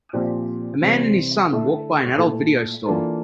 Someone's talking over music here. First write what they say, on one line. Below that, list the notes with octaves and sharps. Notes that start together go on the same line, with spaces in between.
A man and his son walk by an adult video store.
A#2 F3 C4 G4 D5
C3 E3 G3 C4
D3 A3 E4 A4 E5
A#2 A3 E4 A4
E3 A#3 D4 F4 A4